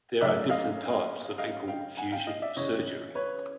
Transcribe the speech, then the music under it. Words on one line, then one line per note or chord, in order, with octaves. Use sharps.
There are different types of ankle fusion surgery.
F#2 C#3 F#3 A3 D5 E5
D#5 F5
D#5 F5
F5 G5
F#5 G#5
F5 G5
D#5 F5
D5 E5
F#2 C#3 E3 C#5 D#5
B4 C#5